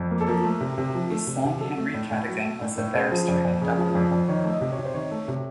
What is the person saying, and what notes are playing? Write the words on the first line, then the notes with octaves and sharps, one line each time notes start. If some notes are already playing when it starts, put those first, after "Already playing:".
His son Henry Cadogan was a barrister in Dublin.
Already playing: F2
A#3
A4
F3 A#4
A3
C3
C3
F3
A3
C3
C3
F#3 A4
A3
A2
A2
F#3
A3
A2
A2
C#3 C5
F3
F2
F2
C#3
F3
F2
F2
D#3 C#5
A3
D#5
C3
C#5
C3
C5
D#3 C#5
A3
C3